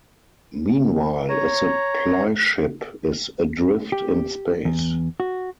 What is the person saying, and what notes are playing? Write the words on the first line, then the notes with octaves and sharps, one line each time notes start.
Meanwhile, a Supply Ship is adrift in space.
C#5 A#5
G4
E2
F#4